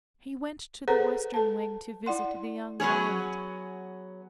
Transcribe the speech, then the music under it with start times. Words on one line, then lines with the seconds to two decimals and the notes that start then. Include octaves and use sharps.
He went to the western wing to visit the young Violet.
0.88 G#4 A4 B4 C5 F#5 A#5
1.34 A4 A5
2.06 E4 D5 F#5 C6
2.80 F#3 B3 C#4 G#4